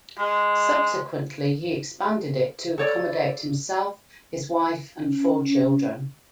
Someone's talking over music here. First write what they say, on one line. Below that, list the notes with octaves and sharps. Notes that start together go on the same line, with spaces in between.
Subsequently, he expanded it to accommodate himself, his wife and four children.
G#3
A4 C#5 D5
C#4